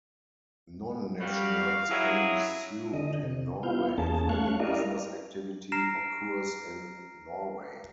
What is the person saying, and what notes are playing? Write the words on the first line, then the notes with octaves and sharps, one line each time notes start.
Non-nationals can be sued in Norway if any business activity occurs in Norway.
G3 F#4 F5
F#3 E4 G#4
D3 D#5
C3
B3 E4 F4 F5 G6
E2 A#3 C#4 G#4 A5
A3 C#4 F5 C#6 F#6
E4 G4 A#4 D5 D#5 F5
A#5 F6 A#6 C7 D7 E7